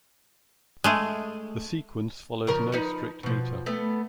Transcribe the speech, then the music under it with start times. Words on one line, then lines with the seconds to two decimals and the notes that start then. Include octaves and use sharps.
The "Sequence" follows no strict meter.
0.84 G#3 A3 G#4
2.47 C#3 F3 A#4
2.72 F3 D#4 B4
3.23 B2 F3
3.66 A3 B3